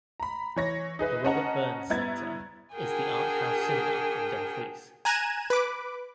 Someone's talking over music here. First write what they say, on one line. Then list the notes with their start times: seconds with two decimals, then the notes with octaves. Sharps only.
The Robert Burns Centre is the art house cinema in Dumfries.
0.20 A#5 B5
0.56 E3 C#5 A#6
0.99 D#4 G#4 B4 E5
1.25 C#4 D#5 F#5 A5 A#5
1.90 G2 B3 E4 A#5 G#6 A6
2.75 D4 F#4 G#4 A#4 G5 G#5
5.05 G#5 A#5 F#6 G#6 D#7 E7
5.50 B4 D6